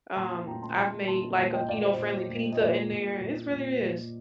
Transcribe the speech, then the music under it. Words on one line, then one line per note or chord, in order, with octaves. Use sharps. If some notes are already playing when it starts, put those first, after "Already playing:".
um, I've made like a keto-friendly pizza in there, it's really is.
A#2 A5 C6
F5 A5
A#2 G5 A#5
A5 C6
A#2 A5 C6
A#2 A5 C6
A#2 F5 A5
D#5 G5
A#2 D5 F5
C5 D#5
A#2
A#2
D#5
A#2 A#4 D5
A#2
A#2
A#2
A#2